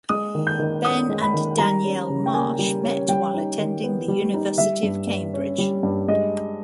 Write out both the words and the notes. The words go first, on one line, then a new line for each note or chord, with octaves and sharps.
Ben and Danielle Marsh met while attending the University of Cambridge.
G#3 D#6
D#3
G6
D#3
C#4 D#6
G#3
B5
D#3
G3 A#5
C#4
C#3
G5
A#3 G#5
G3
C#4
G3 G5
D#4
D#3
B3
G3
D#4
G3 E5
G2
G2
C#4
G3
G2
G#3 D#5